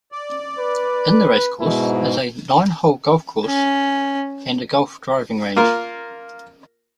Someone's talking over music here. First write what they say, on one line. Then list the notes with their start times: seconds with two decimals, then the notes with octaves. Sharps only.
In the racecourse is a nine-hole golf course and a golf driving range.
0.12 D5
0.59 B4
1.60 G#2 B2 E4
3.46 C#4
5.56 A#3 F4 A#4